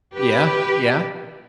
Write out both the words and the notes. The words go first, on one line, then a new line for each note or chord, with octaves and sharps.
Yeah, yeah.
G4 B4